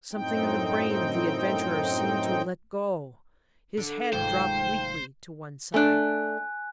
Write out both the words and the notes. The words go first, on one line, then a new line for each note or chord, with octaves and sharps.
Something in the brain of the adventurer seemed to let go; his head dropped weakly to one side.
F#2 A2 C4 D#4 G5
D3
F1 D#2 G#2 F3 C5 G5
A3 D4 G#5 F#6